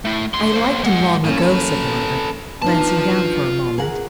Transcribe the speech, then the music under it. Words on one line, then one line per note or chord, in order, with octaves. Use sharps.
'I liked him long ago,' said Margaret, glancing down for a moment.
A3 E4
D3 C6
A#3 C5
G#3 F#5
A2 A#3 C#4
A4 B4
B3 D4 D#4 F4 A5
G#4 A#4 F#5